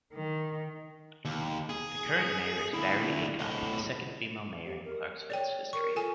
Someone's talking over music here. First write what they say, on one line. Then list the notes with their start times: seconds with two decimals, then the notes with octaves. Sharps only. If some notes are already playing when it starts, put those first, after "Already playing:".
The current mayor is Barrie Aycock, the second female mayor in Clarkesville's history.
0.14 D#3
1.25 D#2
1.70 G#4
2.74 D2 E4
3.40 A2 D#5
4.65 G4
4.84 A#4
5.30 C#5 D5 G5
5.73 A#4 C#6
5.96 F4 A4 G#5